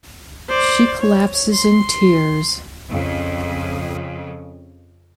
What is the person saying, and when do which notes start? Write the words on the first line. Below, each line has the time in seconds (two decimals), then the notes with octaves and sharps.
She collapses in tears.
0.49 C5 D5
1.01 C#5
1.53 C6
2.91 F2 C#3